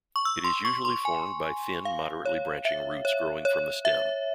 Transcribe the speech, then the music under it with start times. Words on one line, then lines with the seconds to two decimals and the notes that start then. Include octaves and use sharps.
It is usually formed by thin, moderately branching roots growing from the stem.
0.16 C#6
0.25 E6
0.44 C6
0.65 C#6
0.85 C6
1.05 G#5
1.85 F5
2.25 C#5
2.65 E5
3.05 C#5
3.45 C#5
3.85 E5